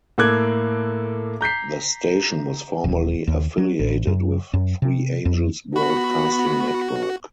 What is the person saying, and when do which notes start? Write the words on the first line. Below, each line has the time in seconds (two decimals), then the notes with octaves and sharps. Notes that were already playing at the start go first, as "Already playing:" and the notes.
The station was formerly affiliated with Three Angels Broadcasting Network.
0.18 A2 A#3 A4 D6 F#6 G#6
1.41 A#5 G6 B6 C7
2.84 D#1
3.27 D#2
3.58 F#3
3.80 A1
4.07 F#2
4.54 F#2
4.82 C3
5.25 F2
5.76 B3 F#4 B5